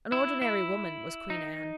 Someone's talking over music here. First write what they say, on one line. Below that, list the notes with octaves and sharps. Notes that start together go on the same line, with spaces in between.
An ordinary woman was Queen Anne.
E4
E4
D#4